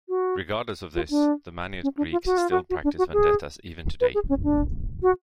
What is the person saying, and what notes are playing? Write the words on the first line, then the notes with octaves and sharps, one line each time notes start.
Regardless of this, the Maniot Greeks still practice vendettas even today.
F#4
F4
D4
C#4
D4
F4
F#4
F4
F#4
F#4
D4
F#4
G#4
B4
G#4
C#4
D4
F#4